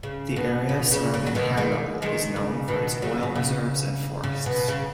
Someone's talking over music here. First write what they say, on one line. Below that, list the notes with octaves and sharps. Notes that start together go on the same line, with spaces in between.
The area surrounding High Level is known for its oil reserves and forests.
C#3
B2
B2
C#3
C#3
F#3
B2 D#3
D#3 G#3
D#3 G#3
C#3
B2 D#3
C#3 F#3
B2
C#3
C#3
B2
C#3